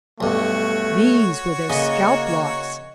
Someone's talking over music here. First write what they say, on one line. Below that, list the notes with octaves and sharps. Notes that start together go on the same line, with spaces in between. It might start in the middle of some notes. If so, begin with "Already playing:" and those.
These were their scalp locks.
B1 G2 A3 F#4 C#5
C#3 A#3 D#5